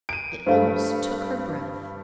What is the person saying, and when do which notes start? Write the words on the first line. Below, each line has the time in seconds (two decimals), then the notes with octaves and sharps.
It almost took her breath.
0.09 D7 D#7
0.46 G2 A3 C5 F5